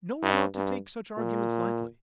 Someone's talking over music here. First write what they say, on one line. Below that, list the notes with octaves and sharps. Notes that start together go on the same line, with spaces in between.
No one ought to take such arguments lightly.
G2
G2
A#2